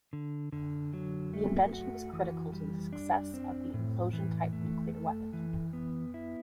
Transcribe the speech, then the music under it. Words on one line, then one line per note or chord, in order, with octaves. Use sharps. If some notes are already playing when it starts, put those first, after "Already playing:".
The invention was critical to the success of the implosion-type nuclear weapon.
D3
D3
F#3
A3
F#4
E3
G3
D4
C4
A2
E3
A3
A4
E3
B3
E4